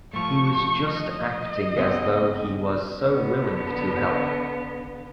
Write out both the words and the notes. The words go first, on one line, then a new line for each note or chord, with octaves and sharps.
He was just acting as though he was so willing to help.
F3 A3 C#6
C#6
D#5
C#3 B3 C4
D3 B3